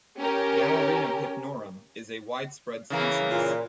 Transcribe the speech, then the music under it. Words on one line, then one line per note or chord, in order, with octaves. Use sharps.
"Galerina hypnorum" is a widespread species.
C#4 G4 A#4
C#3 E3 A#3
A#2